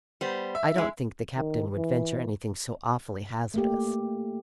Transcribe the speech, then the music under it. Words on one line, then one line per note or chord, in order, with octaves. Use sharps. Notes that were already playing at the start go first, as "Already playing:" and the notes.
I don't think the captain would venture anything so awfully hazardous.
G3 B3 C5
E5
G#3 E4
D#3
E3
A3 A#3 G4